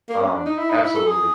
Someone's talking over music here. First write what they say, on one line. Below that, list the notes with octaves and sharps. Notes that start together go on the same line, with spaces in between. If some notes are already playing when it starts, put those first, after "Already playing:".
um, absolutely.
A#3
C#4
D4
D#4
E4
D#4
E4
A4
G#4